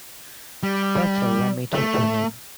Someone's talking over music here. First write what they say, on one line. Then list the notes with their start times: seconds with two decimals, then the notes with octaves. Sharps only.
Better let me talk to him.
0.63 G3
1.74 A3